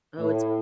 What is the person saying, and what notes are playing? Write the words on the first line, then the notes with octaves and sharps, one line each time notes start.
Oh, it's
A2